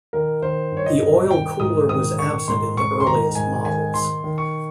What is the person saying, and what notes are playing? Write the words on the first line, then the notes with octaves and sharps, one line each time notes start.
The oil cooler was absent in the earliest models.
D#3 A#4
D#3 C5
G2
C#5
D#5
G2
D#3 G5
G#2 D#6
D#3 D#6
D#3 C#6
G#2 C6
G#2 C#6
C6
D#3 A#5
G#2 G#5
D#3 G#5
D#3 C6
D#3
C#6